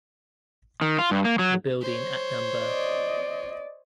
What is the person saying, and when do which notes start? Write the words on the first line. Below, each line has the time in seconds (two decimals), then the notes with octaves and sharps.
The building at no.
0.81 D#3
0.99 F4
1.11 G2
1.25 A#3
1.39 F#3
1.81 C5 C#5
2.63 D5 D#5